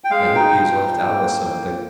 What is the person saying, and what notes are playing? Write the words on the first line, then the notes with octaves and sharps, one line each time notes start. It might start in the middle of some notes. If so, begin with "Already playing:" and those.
"I hope he has left Alice something."
G5
G#3 F5
D#4 G5
F3
F3
A#3